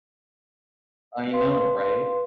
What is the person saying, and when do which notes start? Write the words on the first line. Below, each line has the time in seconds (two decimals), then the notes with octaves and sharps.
I know, right?
1.31 B4 F5 C6